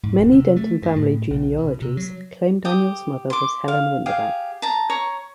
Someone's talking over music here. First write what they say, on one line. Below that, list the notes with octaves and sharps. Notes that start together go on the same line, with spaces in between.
Many Denton family genealogies claim Daniel's mother was Helen Windebank.
G#2
D#1
C3
A3
G2
A2
B1
B2
C3
F#3
G4 G5 D#6
C6 D6
F5
G4 G#4 F5
A5 A#5
C#5 A#5 C#6